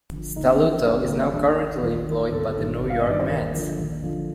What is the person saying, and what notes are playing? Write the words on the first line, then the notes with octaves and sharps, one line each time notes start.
Stelluto is now currently employed by the New York Mets.
D3 F3
D2 D#4
D4
C4
D3 F3 D4
D2 D4
C4
D3 F3 A#3
C4
D#2 D4
D#3
D#2 F4
D#3
G1 A4
G2 D#3
G1
F5
D#5
G2 D#3 D5
C5
D#2 A#4
D3 F3
D#2
D3 F3